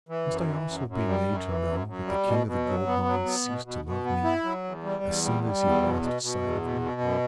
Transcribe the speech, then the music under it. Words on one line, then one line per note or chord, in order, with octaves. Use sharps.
Must I also be made to know that the King of the Gold Mines ceased to love me as soon as he lost sight of me?
E3
F#2
E3
F#2
F#2
G3
F#2
E3
F#2
F#2
G3
B2
B2
F#3
B3
F#3
B3
B2
B2
B2
B3
E4
F#3
E2
G3
E2
G3
G3
E2
B2
B2
B2
E2
B2
B2
F#2